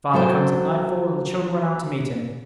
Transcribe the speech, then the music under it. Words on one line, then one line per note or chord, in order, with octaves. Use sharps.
The father comes at nightfall, and the children run out to meet him.
F#3 A4 C5 G5